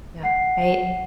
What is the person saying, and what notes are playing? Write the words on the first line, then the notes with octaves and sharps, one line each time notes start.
Yeah, I
F#5 C7